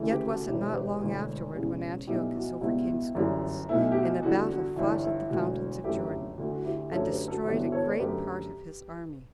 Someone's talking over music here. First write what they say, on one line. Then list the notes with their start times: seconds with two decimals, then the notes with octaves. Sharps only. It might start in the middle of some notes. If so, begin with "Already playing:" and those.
Yet was it not long afterward when Antiochus overcame Scopas, in a battle fought at the fountains of Jordan, and destroyed a great part of his army.
Already playing: D2 C#3 E3 A3
0.10 G4 B4
0.28 F#4 A4
0.45 E1 E2 D3 E4 G4
0.73 G4 B4
0.99 E1 D2 D3
1.53 E1 E2 C#3 G3
2.07 B1 A2 G3 B3 E4 G4
2.35 F#4
2.61 C#2 B2 G3 B3 E4
3.15 G1 F#2 E3 G3
3.69 B1 B2 A3 E4
3.92 G4
3.95 F#4
4.22 E2 D3 G3 F#4
4.49 F#4
4.76 G1 G2 E3 E4
5.03 E4
5.30 E1 D2 D3 F#4
5.84 G1 F#2 D3 A3 E4 G4
6.38 D2 D3 A3 F#4
6.53 F#4
6.65 E4 G4
6.91 F#2 D3 F#3 A3 A4 C#5
7.10 G4 B4
7.28 F#4 A4
7.45 G1 G2 E3 B3 E4 G4
7.59 F#4 A4
7.72 A4 C#5
7.86 B4 D5
7.99 F#2 D3 A3 G4 B4